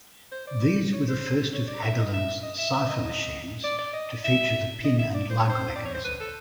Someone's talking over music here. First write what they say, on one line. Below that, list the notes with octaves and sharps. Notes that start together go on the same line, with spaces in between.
These were the first of Hagelin's cipher machines to feature the pin-and-lug mechanism.
C5
D5
C#5
C5
C#5
D5
E5
D#5
E5
D#5
E5
E5
D#5
D5
D5
D#5
E5
D#5
E5
D5
C5
C#5
C5
D5
C#5
C5
B4
A4